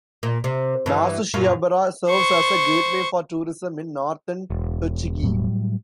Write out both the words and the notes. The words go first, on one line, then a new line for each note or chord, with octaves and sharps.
Nasushiobara serves as a gateway for tourism in northern Tochigi.
A#2
C3
G2 E3
F#2 A#2 F4
C5 C#6
E1
A2 F#3 G3